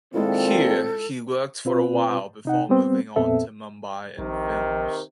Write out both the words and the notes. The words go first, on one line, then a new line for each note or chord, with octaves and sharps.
Here he worked for a while before moving on to Mumbai and films.
A#2 D#3 G#3 C4 E4 F4 A4
B2 C4 F4 B4
C3 D#4 F#5
G3 B3 C4
F2 A#2 B3 C4 A4 E5
A#1 C3 D#3